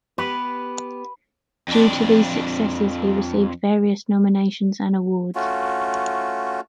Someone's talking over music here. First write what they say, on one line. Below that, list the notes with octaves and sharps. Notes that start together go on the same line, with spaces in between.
Due to these successes he received various nominations and awards.
B3 G4 B4
F2 D4
A3 C#4 F4 F#4